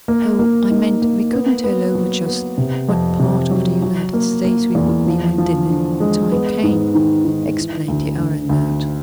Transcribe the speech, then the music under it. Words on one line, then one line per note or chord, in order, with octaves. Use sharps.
"Oh, I meant we couldn't tell over just what part of the United States we would be when dinner time came," explained the aeronaut.
A#3
A#3
D#4
A#3
B3
B3
F#3
B3
C3
F2
C3
F#3
F#3
A#3
A#3
E2
F3
F3
D3
G#3
B3
G#2
D#3
D#3
E3
D2
D2
D2